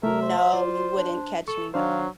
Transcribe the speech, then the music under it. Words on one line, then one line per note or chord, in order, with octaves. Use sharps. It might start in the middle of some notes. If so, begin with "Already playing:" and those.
No, you wouldn't catch me, no.
C3 A3 A#4 E5
C5
F4 D5
D4
A4 C#6
F#3 D4 C5 F5